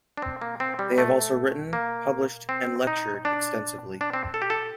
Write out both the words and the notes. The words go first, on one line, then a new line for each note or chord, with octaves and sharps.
They have also written, published and lectured extensively.
D4
C4
A#3
C4
G3
A3
A#3
C4
D#4
D4
D4
C4
A4
G4
A4